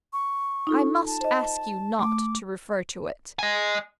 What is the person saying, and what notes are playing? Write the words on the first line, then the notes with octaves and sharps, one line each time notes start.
I must ask you not to refer to it.
C#6
D#4 F4 A4
A5
C5 D#5
A3 D6
D#5 G#5